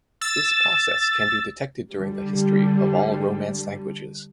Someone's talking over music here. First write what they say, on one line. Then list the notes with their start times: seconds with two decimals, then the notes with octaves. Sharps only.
This process can be detected during the history of all Romance languages.
0.21 E6 A6
1.93 D3 G3